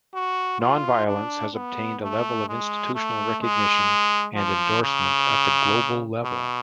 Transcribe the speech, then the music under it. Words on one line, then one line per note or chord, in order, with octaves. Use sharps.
Nonviolence has obtained a level of institutional recognition and endorsement at the global level.
F#4
F4
D4
B3
A3
G#3
A3
G#3
F3
C#3
B2